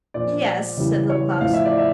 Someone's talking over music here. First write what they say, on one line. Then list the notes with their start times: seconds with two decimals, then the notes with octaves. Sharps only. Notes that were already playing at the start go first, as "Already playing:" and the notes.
'Yes,' said Little Klaus.
0.14 A#2 F3 D5
0.77 C#3 E3 G3
1.09 C#5
1.41 A2 F3 F5
1.53 E5
1.65 D5
1.78 E5